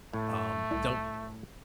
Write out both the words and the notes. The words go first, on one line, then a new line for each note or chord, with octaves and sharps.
um, don't
A2 A3
C2